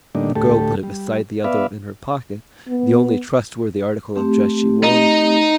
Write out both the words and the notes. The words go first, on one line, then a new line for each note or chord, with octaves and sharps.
The girl put it beside the other in her pocket, the only trustworthy article of dress she wore.
A2 D3 G3 A#3 D4 D#4
D2 A2 A3 G4 A4
G3
B3 B4 D5 E5 F5
B3
A3 C4 G4
D#4